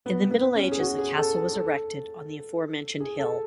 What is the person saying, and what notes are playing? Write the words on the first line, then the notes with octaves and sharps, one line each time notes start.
In the Middle Ages, a castle was erected on the aforementioned hill.
B3
B3
C#4
G#4
F#4
G#4
A4
A4
G#4
A4